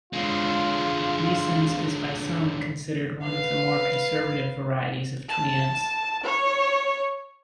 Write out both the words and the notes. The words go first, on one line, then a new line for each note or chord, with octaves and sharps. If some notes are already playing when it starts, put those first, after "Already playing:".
Riessens is by some considered one of the more conservative varieties of Tweants.
D3 G#3 F4
B4 F5
A5
C#5